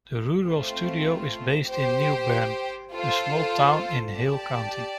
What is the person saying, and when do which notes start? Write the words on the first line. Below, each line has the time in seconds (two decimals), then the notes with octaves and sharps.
The Rural Studio is based in Newbern, a small town in Hale County.
0.46 A3 C4 F4
1.70 G4 C5 G5
2.94 F4 A4 C5
4.18 G4 D5 A5